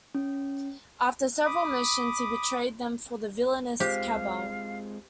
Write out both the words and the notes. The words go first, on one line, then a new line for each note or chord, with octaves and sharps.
After several missions, he betrayed them for the villainous Cabal.
C#4
B5 D6 D#6
G#3 C4 F4 G4 C5 F5